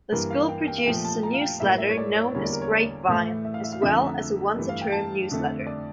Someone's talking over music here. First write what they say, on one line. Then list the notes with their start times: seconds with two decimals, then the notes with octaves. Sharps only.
The school produces a newsletter known as 'Grapevine' as well as a once-a-term newsletter.
0.12 G2 E3 A#3 A#4
0.30 F5
0.49 G5
0.68 G5
0.78 F5
0.86 A#2 F3 A3 G5
1.05 A5
1.23 A#5
1.34 F5
1.41 G5
1.60 A2 G3 A#3 E5
1.78 E5
1.89 C#5
1.98 D5
2.15 C#5
2.34 E2 D3 G3 A#3 C#5
2.44 D5
2.53 A#4
2.62 C#5
2.71 D5
3.08 A2 E3 A3
3.45 E5
3.54 F5
3.64 E5
3.72 F5
3.82 F2 D3 F3 A3 E5
4.00 A#5
4.56 G2 E3 A3
4.69 F5
4.81 G5
4.92 A5
5.30 F2 D3 A3
5.67 D5